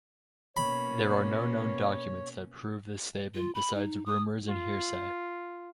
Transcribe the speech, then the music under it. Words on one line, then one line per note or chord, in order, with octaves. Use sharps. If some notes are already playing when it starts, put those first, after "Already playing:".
There are no known documents that prove this statement besides rumours and hearsay.
B2 A#3 C#4 C#5 B5
F4
B5
D#4
D#6
F4